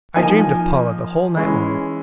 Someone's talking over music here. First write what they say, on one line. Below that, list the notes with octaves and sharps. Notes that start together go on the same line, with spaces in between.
I dreamed of Paula the whole night long.
F3 A#3 D#4 G#5
E3 G#3 C#4